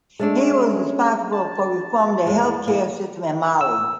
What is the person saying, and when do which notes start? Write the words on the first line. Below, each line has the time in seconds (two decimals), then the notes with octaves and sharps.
He was responsible for reforming the healthcare system in Mali.
0.19 G#3 A3 D4 A4
0.40 C#4
1.32 A5
2.27 E2 G#3
2.67 E3 A#3
3.61 E6